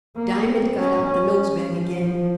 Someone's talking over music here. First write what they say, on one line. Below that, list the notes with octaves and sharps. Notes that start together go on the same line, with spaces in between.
Diamond got out the nose-bag again.
A#3
C4
C#4
C#4
F3
F3